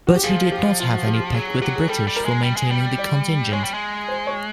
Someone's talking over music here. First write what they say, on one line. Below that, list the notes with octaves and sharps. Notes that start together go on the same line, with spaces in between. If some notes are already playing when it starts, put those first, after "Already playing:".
But he did not have any pact with the British for maintaining the contingent.
F#4
G4
F3 G#4
G4
F4
F#4
G4
G4
F#3 G#4
G#4
F#3 G4
G#4
G3 A4
G3
A#4
G#3
G3
G#3
G3
D5
G#3 C#5
G3
G#3
C5
C#5